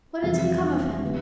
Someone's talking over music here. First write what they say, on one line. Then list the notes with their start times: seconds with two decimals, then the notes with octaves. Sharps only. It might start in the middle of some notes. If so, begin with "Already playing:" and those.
"What has become of him?"
0.23 F2 C3 E3 G3 E5
1.02 D3 G3 B3